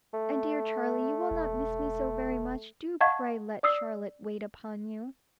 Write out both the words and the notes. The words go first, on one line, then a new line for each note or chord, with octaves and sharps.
'And, dear Charlie, you will not miss me so very much; do pray let Charlotte wait upon you.'
A3
E1
D#5 F5 F#5 A5 C#6 G#6
D5 D#6 E6 C7